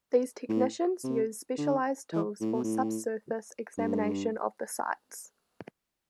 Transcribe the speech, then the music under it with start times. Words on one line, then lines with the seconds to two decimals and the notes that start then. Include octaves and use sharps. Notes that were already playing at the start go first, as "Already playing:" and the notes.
These technicians use specialized tools for subsurface examination of the sites.
0.49 A2
1.03 C3
1.58 D3
2.13 E3
2.40 A2
2.53 B2
2.64 A2
3.77 G2